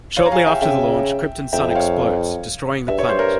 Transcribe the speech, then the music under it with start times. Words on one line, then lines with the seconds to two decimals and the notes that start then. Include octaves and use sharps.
Shortly after the launch, Krypton's sun explodes, destroying the planet.
0.17 C#5 F5
0.26 A#5
0.32 F5 G#5
0.47 E5 G5
0.62 C#3 E5 G5
1.53 F2 E5 G5
1.71 G5
1.75 C#5 F5
2.88 G2 E5
2.98 C#5
3.09 G2 C5
3.19 A#4 C#5